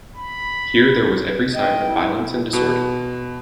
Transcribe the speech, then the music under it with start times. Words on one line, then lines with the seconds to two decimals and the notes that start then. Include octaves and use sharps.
Here there was every sign of violence and disorder.
0.16 B5
1.53 D#5 G5
1.89 E4
2.53 B2